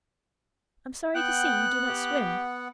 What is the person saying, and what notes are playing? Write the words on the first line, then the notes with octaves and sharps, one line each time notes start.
I'm sorry to see you do not swim.
B3 F#5 G5 F#6
G4